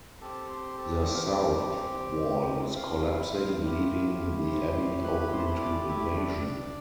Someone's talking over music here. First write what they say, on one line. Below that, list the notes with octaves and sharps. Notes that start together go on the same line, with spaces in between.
The south wall is collapsing, leaving the Abbey open to invasion.
C4 G4 A4 A5
C5 C6
A4 A5
G5
F5
G4 G5
E5
F4 F5
E5
F5
E4 E5
F4 F5
A3 E4 G4
C5 C6
C5 C6
B4 B5
C5 C6
A5
B5
C6
D5 D6
E4 E5
D4 D5